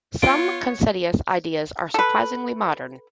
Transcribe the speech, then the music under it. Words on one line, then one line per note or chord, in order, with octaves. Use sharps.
Some of Consentius' ideas are surprisingly modern.
B3 F4 C#5 D7
A4 B4